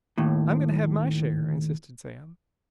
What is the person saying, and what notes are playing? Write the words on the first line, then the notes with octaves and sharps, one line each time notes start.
"I'm going to have my share!" insisted Sam.
D#2 A2